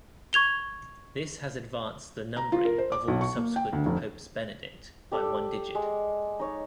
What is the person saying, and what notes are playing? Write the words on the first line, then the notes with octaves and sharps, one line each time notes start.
This has advanced the numbering of all subsequent Popes Benedict by one digit.
C#6 G#6 F7 G7
A#5
F4
A#4
C5
D6
B1
C#6
A#3
G5
D2
F1
G4 A4 D5
G#3
D#4 C#5